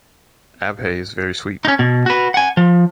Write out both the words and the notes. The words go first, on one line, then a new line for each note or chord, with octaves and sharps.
Abhay is very sweet.
C#4 D#4
B2
F#4 B4
F#5 G#5
F3